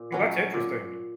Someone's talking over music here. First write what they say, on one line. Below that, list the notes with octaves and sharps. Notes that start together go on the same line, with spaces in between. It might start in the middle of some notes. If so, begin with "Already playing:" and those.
Oh, that's interesting.
Already playing: A#2
F#3 C#4 F#4
A#2